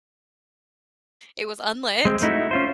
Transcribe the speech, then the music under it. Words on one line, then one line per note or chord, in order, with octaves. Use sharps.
it was unlit,
G#3 C4
A3 D#4 E4 F#4
C#4 F4 C5